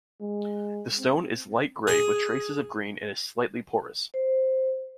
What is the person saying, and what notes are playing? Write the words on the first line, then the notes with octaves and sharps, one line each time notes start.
The stone is light grey with traces of green and is slightly porous.
G#3
C4
G#4 G#5
C5